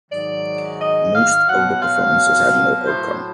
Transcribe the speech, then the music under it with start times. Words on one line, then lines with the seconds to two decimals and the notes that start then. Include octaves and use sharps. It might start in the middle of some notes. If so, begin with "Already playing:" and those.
Most of the performances had no outcome.
0.10 G#2 D#3 F#3 D5
0.79 D#5
1.14 F5
1.48 B2 F#3 F#5
1.82 F5
2.84 A2 F#3 C5